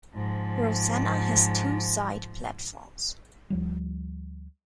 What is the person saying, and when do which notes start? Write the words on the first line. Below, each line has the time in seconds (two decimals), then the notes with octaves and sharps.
Rosanna has two side platforms.
0.14 G#2 F3
3.50 D2 F3 G3